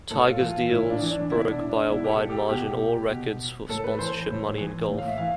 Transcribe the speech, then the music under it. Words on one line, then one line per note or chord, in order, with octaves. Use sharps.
Tiger's deals broke by a wide margin all records for sponsorship money in golf.
A2 A4
F4
E3
F4
A2 E4
D4
E3
D4
B2 E4
D4
D4
B2 E4
G4
A4
G4
B2 G4
B2
A2 A4
B4
E3 C5
A2
E3
A2
F5
E5
E3 F5